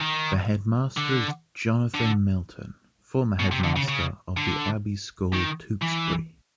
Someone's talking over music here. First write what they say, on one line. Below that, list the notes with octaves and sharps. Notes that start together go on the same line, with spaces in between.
The headmaster is Jonathan Milton, former headmaster of The Abbey School, Tewkesbury.
D#3
D3
D3
B2
C3
D3
C#3
C#3
D3
D#3
E3